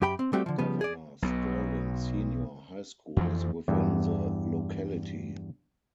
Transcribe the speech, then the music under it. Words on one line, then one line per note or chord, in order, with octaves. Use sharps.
Governor Stirling Senior High School is within the locality.
F#2 G4 G5 B5
C4
G3 A3 C4 F#4 G4
D3 F3
C#3 F3 G3 B3
G#4 D5
B1 B2
F2 E3 F3
E2 G2